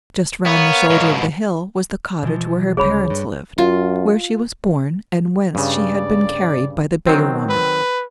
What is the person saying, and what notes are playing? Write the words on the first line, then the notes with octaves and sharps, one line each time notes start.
Just round the shoulder of the hill was the cottage where her parents lived, where she was born and whence she had been carried by the beggar-woman.
B3 A#4 C#5 F5
G#2 B2
B2 E3 F3
D2 C#3 G3 G#4 C#5 B5
G2
F#2 F4
G2 C#3 D5
D#3 F#3 C4
B4